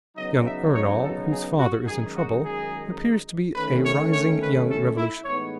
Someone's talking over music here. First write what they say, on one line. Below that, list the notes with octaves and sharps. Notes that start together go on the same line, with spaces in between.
Young Ernol, whose father is in trouble, appears to be a rising young revolutionist.
C#3 F#3 B3 D#4 D#5
E5
C#5
A4
G#4
F#4
F#2 D#3 G#3 D#4 G#4
F#4
G#4
D#3 A3 C#4 B4
C#5
C#5
B4
A4
E4
A2 E3 G#3 B3 D#4 C#5